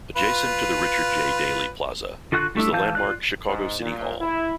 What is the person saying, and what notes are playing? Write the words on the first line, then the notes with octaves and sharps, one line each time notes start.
Adjacent to the Richard J. Daley Plaza is the landmark Chicago City Hall.
F4 B4
D3 F4 F#4 F#5 F#6
G3 A3 D4 E4
E3 F5 A5 G6
F4 D5 F#6
G#2
A#2
E4